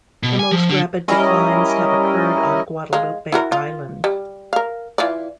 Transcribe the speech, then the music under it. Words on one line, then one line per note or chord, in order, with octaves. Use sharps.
The most rapid declines have occurred on Guadalupe Island.
B2
G#5
F3
D3
G3 C#4 E4 A#4 D#5
G#3 D#5 F5
E4 F#4 A#4
F4
G3
A#4 F5
E3 F4 D5